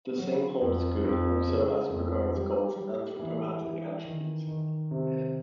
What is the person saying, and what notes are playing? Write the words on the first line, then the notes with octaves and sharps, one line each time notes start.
The same holds good also as regards God's anthropopathic attributes.
F#3
F2
F2
C#3
F2
G3
G3
E3
E3
D#3
D#3
C3